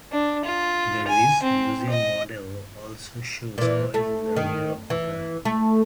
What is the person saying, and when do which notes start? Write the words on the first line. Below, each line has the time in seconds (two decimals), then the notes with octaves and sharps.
The Rijksmuseum model also shows coils in the rear of the gun.
0.12 D4
0.45 F4
1.08 G#5
1.43 C4
1.90 D#5
3.58 A#2 E3
3.94 A3
4.36 D#3
4.90 E3
5.45 A3